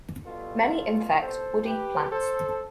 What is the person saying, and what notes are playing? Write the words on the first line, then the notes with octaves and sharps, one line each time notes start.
Many infect woody plants.
B2 G3 F4 A4
A4 C5
G4 B4
A4 C5